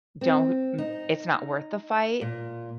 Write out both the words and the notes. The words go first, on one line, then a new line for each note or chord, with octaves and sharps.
don't, n it's not worth the fight,
C4
D#4
A#2